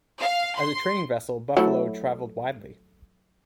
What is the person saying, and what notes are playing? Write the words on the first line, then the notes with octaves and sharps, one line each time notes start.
As a training vessel, "Buffalo" traveled widely.
F5
C6
F#3 A3 E4